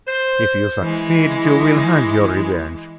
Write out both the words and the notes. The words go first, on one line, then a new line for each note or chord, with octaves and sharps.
If you succeed, you will have your revenge.
C5
E3 G#3